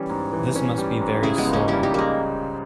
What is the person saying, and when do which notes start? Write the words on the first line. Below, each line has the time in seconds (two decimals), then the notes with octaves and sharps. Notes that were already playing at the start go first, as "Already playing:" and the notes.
This must be very sore.
Already playing: E3 G3 C#4
0.10 G#2
0.33 E3
0.56 C#4
0.78 G3
1.01 G#2
1.23 C#3 E4 G#4
1.38 G#3 B3
1.45 C#2
1.53 A#3 C#4
1.68 G3 C#4 E4
1.83 D#4 G4
1.94 G#3 A#3